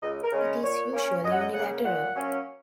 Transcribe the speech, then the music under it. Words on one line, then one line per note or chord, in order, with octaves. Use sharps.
It is usually unilateral.
C#2 D#5
A#4
C#3 G#3 C#4
A#4
A#2 C#5
A#3 C#4
F#2 D#5
F#5
D#5
C#3 A#3 F#5
A#2 F#5
F#3 A#3 C#4